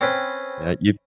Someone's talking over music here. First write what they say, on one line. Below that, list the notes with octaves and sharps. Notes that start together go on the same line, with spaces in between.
Yeah, you
C4 C#4 B4 G5